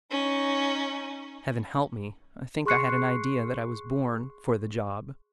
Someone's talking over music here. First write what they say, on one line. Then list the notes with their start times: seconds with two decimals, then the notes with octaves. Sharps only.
Heaven help me, I think I had an idea that I was born for the job.
0.10 C#4 D#4
2.66 G#4 C6 C#6 F#6 C7 C#7